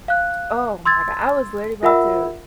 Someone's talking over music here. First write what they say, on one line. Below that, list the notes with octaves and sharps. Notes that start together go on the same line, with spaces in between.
Oh my god, I was literally about to
F5 F#6
C6 E6 G#6 A6
F4 A#4 E5 F#5 B5 E6